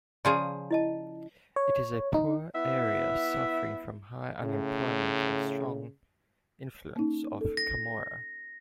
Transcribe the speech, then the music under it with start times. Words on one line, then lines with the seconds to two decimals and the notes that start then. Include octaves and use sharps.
It is a poor area, suffering from high unemployment and strong influence of Camorra.
0.25 C#3 F3 G#4 D5 A5 A#5
0.71 E4 D#5 A5
1.56 C#5
2.14 D#4
2.55 B3 E4 E5
4.42 A2 C#3
6.96 A#3 C#4 D#4
7.41 A4
7.57 A#6